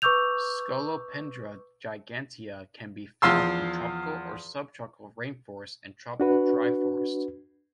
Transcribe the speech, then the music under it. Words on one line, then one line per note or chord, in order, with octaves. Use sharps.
"Scolopendra gigantea" can be found in tropical or sub-tropical rainforest and tropical dry forest.
B4 C#6 D6 E6 G6 F7
E2 F3 F5 C6 E6
D4 F#4 B4